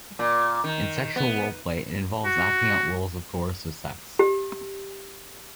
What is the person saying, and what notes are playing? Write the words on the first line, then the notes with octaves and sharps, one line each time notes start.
In sexual roleplay, it involves acting out roles of coercive sex.
A#2
D#3
B3
F#4
G4